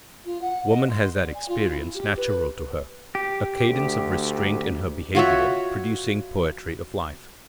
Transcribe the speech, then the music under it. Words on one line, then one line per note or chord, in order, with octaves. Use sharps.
Woman has that expression natural to her--a cadence of restraint in her behaviour, producing poetry of life.
F4
F#5
D#5
C6
D5
G#5
F4
E4
G4
B4
G4
D2
F4 F#4 C#5 E5